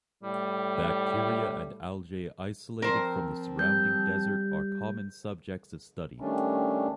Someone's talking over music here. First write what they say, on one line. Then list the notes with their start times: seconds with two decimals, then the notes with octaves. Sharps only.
Bacteria and algae isolated from the surrounding desert are common subjects of study.
0.23 A2 G3
2.82 F3 C4 A#4 C5
3.59 G3 G6
6.20 D#3 G3 A3 C#4 D4